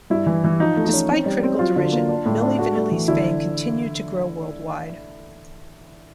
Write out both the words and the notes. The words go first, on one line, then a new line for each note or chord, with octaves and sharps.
Despite critical derision, Milli Vanilli's fame continued to grow worldwide.
G2 E4
E3
E3
F3 D#4
A3
D#4
C#4
C4
G3
C4
F#3 F4
D3
A#3
D4
A2
D4
A3 F#4
A3
E3
D3 E4